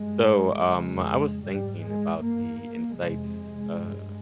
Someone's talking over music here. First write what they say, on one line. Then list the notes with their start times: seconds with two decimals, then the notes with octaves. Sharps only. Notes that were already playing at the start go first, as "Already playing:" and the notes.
So, um, I was thinking about the insights, uh,
Already playing: G2 G#3
0.64 F2 C#3 G#3
1.41 G#2 G3
1.80 G#3
2.19 G2 A#3
2.97 F2 C3 G#3
3.74 G2